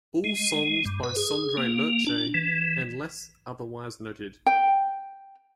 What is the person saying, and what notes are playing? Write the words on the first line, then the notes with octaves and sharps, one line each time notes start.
All songs by Sondre Lerche unless otherwise noted.
G#3
G2
B4
G#4
A#3
D4
E3
G5